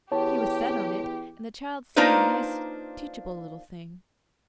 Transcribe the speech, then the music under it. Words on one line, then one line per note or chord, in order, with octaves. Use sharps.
He was set on it; and the child seemed a nice, teachable little thing.
E2 G4 C#5 A5
A#3 D4 D#4 F4 B4 C5